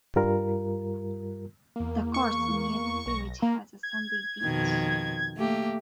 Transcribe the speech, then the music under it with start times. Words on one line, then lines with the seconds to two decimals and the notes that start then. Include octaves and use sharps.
The coast near the village has a sandy beach.
0.16 G2 G3 F4 A#4
1.76 E2 A#3
2.14 C#6
3.06 B1 A#6
3.42 A#3 A#5
3.83 G#6
4.42 F2 B2 D#3
5.37 A3 A#3 G4